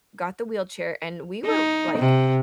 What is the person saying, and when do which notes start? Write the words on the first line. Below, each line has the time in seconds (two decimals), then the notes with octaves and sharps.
got the wheelchair, and we were, like
1.46 D#4
1.99 C3